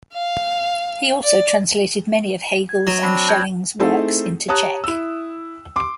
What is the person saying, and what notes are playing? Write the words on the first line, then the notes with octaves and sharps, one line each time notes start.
He also translated many of Hegel's and Schelling's works into Czech.
F5
D5
G#6
F#3 B3 D#4
C4 D4 B5
A5 G6 G#6
A3 C4 D#4 E4 G#4 A4
G4 C#5 A5 A#5 D#6 F#6
E4 E6
C6 D6